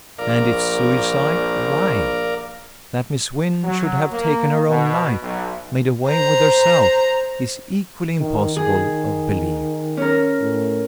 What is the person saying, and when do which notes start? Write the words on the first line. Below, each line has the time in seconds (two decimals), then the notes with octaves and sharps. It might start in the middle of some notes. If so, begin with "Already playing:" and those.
And if suicide, why? That Miss Wynn should have taken her own life--made away with herself-- is equally impossible of belief.
0.19 A#1 A#4 D5 F5
3.63 F#3
4.12 A#3
4.69 B2
5.22 B1
6.06 C5 A#5
8.20 D#3
8.56 D#3 G#4
9.97 C#4 A#4
10.41 A2